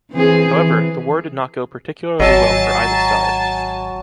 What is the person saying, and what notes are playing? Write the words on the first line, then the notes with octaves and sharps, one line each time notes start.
However, the war did not go particularly well for either side.
E3 C4 G#4
E3
G#1 F#3 D#5 G#5 A5